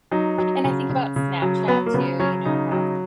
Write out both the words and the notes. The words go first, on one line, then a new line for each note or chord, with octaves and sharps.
and I think about Snapchat, too, you know, I have,
F#3 D#4
F#3
C#3
C#3
C#3
F#3
F#3 B3
A#3
C#3 B3
F#3 C#4
C#3 D#4
F#3